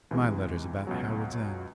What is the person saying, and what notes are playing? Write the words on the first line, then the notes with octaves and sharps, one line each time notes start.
My letter's about Howards End.
C#2 C3 E3 G#3
C#2 B2 F#3